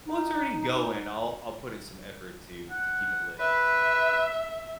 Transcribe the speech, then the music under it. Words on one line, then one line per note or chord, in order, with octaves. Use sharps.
"Well, it's already going, I'll I'll put in some effort to to keep it lit."
D#4
F#5
B4 E5